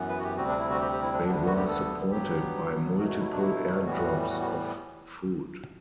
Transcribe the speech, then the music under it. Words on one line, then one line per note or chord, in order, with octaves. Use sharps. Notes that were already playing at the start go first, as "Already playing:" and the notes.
They were supported by multiple air drops of food.
Already playing: F#2 E3 B3
B4
F#4
G4
D2 C3 G3 C4 F#4
D4
E4
F#4
G4
G4
E4
D4
D2 D3 G3 B3 D4
D4
F#4
G4
A4
G2 F#3 B3 G4
B2 F#3 A3 F#4
F#4
E4
D4
F#4
E4
A2 E3 G3 B3 F#4
F#4
F#4